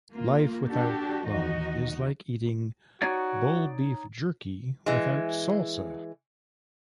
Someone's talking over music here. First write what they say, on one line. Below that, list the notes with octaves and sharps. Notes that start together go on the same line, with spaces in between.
Life without love is like eating bull-beef jerky without salsa!
A#3 F4
D4 F#4 G4 A4
D#2 E3 D#4 F#4 D#5
D#4 F#4 C#5 D5
E3 G#3